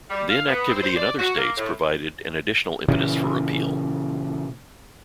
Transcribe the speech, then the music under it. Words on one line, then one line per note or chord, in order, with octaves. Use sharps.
Then activity in other states provided an additional impetus for repeal.
G3
F5
B3
C4
C5
D5
F#4
A#3
A2
A#2 C#3 E3